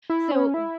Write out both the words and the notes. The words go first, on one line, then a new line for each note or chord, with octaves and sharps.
So, w
E4
C#4
E4